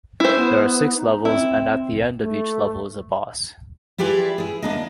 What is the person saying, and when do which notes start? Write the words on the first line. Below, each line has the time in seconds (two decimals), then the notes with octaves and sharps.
There are six levels and at the end of each level is a boss.
0.20 E4 C5
0.36 B3
0.97 D#4
1.25 C4 E4
2.22 A3
3.98 E4 F4 G4 G#4 B4 D5
4.38 E4 G#4
4.62 A#3 D4 D#5